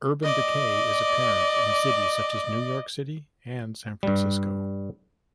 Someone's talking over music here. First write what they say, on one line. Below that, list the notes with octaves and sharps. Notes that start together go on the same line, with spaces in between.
Urban decay is apparent in cities such as New York City and San Francisco.
D5 D#5
G2 G3